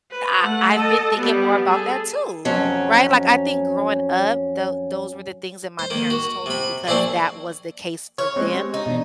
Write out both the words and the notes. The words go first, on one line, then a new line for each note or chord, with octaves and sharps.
I I've been thinking more about that too. Right? Like, I think growing up, tho those were the things that my parents told me because that was the case for them.
B4
A3 F#5
A4 D#5
G3 B3
G#4 A4
F2 F#3 C#4
C5
D#3 A#3
F#4
C3 B5
A#1 C4 D4 E4 C5 C#6
C#5 F6
G#3 C4 C#4 C#6 F#6
G4
D#4
B2 E3 D4